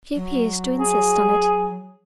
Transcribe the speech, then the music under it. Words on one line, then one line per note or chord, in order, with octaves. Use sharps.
"She appears to insist on it."
F#3
G#4